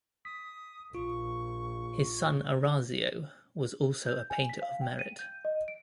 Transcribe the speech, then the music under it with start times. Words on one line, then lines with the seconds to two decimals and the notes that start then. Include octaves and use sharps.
His son Orazio was also a painter of merit.
0.25 D#6 B6
0.95 A#1 F4 C#6
4.07 G6
4.30 G#5
4.49 B6
4.62 F5
4.81 G5
4.99 D#7
5.19 G6
5.45 D#5
5.68 D7